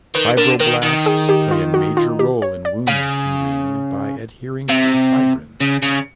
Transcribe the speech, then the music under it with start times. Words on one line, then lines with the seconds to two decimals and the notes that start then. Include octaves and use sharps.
Fibroblasts play a major role in wound healing by adhering to fibrin.
0.15 D#3 B4
0.37 D3 A#4
0.60 D#3 A#4
0.83 D#3
1.06 G#4
1.29 G4
1.51 F4
1.74 F#4
1.97 F4
2.19 G4
2.42 C#5
2.65 D5
2.87 C#3 F5
4.69 C3 E5
5.60 C#3
5.83 C#3